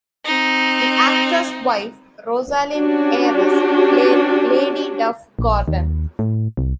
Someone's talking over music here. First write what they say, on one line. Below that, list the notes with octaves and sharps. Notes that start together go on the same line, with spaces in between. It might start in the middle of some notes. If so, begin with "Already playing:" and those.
The actor's wife, Rosalind Ayres, played Lady Duff-Gordon.
C4 D#4
C#4 D4 F#4 G4 C#5
A#1
D#2
A2
C2